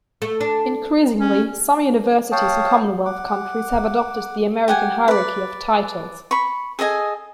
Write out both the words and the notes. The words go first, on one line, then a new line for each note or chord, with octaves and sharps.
Increasingly, some universities in Commonwealth countries have adopted the American hierarchy of titles.
A3
D4
C#4
C#5 F5 G5 A5 D#6
F#5 D6
G4 F#5 G#5
B4 D5
B5 C#6
G#4 A4 D#5 G#5